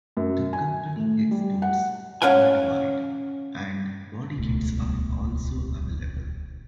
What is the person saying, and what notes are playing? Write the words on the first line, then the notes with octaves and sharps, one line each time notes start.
The company exports worldwide and body kits are also available.
F#2
G#5
A2
G3
F#5
C#4 C#5 F5 F#5 G#5
D#1 C#2 B2 A3